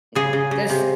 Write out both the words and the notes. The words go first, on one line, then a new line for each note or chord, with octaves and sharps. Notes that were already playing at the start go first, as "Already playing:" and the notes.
and this
C#3 G#4
C#3
C#3
C3